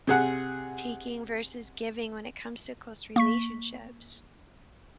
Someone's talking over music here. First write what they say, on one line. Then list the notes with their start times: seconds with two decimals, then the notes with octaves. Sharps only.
taking versus giving when it comes to close relationships?
0.07 C3 G#4 F#5
3.16 A#3 C#6 B6